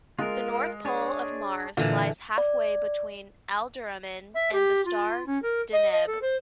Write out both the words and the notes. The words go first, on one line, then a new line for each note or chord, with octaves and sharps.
The north pole of Mars lies halfway between Alderamin and the star Deneb.
G#3 F4 A#4
D4 G#4 C#5
A#2 D3 E3
D5
E5
G4
F4
C#4
A#4
D#5
D#5
A4
C5